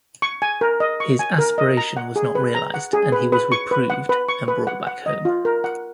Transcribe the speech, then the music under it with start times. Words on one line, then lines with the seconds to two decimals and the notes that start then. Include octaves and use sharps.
His aspiration was not realized and he was reproved and brought back home.
0.22 C#6
0.42 G#5
0.61 A#4
0.80 D#5
1.00 C#6
1.19 G#5
1.38 A#4
1.58 D#5
1.77 A#5
1.97 F#5
2.16 G#4
2.35 B4
2.55 A#5
2.74 F#5
2.93 G#4
3.12 B4
3.32 B4
3.52 C#6
3.71 B4
3.90 F#5
4.09 B4
4.29 C#6
4.48 B4
4.67 F#5
4.87 F#5
5.06 D#5
5.25 F4
5.45 A#4
5.64 F#5